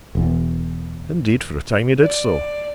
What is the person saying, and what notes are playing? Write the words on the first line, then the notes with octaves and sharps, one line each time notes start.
Indeed, for a time, he did so.
E1 E2
D5